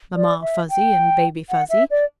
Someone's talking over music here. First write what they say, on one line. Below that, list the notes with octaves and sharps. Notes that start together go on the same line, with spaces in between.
Mamma Fuzzy, and Baby Fuzzy.
D5
E5
G5
F#5
E5
D5